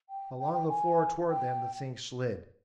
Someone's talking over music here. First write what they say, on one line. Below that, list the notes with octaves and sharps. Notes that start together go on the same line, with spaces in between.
Along the floor toward them the thing slid.
G5
G5
G5
G#5
G5